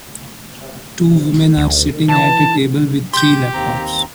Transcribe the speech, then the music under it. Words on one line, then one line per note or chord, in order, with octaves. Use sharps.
Two women are sitting at a table with three laptops.
D2
E3 A5
G4 C6 G6
D#2 C4 A#5